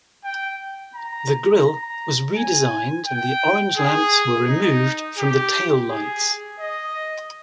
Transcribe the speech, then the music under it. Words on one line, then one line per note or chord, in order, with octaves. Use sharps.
The grill was redesigned, and the orange lamps were removed from the taillights.
G5
A#5
A#5
G#5
G5
G#4
D#4
G4
G#4
D#5